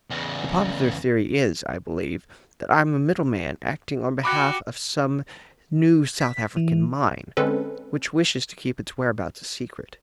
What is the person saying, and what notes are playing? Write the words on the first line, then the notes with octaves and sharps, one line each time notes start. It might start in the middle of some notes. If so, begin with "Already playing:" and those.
The popular theory is, I believe, that I am a middleman acting on behalf of some new South African mine, which wishes to keep its whereabouts a secret.
E2 C#3
F#4 G4 B5 D6 F#6
B6
E3
D3 G#3 C4 C#4 A4 B4